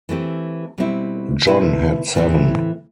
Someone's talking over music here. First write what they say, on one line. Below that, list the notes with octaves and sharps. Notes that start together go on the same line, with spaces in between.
John had seven.
E3 A3 C4 G4
B2 G3 C4 E4
B2 A3 C4 E4 B4
A2 E3 A3 C4 E4